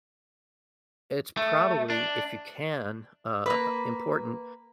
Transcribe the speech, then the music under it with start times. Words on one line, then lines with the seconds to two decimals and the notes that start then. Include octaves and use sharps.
it's probably, if you can uh, important
1.37 A3
1.90 D4
3.46 A#3 B4